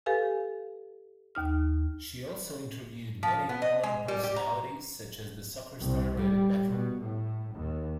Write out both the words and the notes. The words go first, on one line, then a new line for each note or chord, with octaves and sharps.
She also interviewed many well known personalities such as the soccer star David Beckham.
G4 A4 B4 F5 G#5
D#2 D#4 F6
F3
B3
D#5
G#3
G3
G4
A#5
C2
G3
B2
A2
D#2